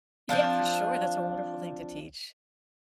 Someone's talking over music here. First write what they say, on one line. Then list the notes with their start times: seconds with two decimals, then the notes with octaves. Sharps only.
Yeah, for sure, that's a wonderful thing to teach,
0.29 F3 C4 D4 F4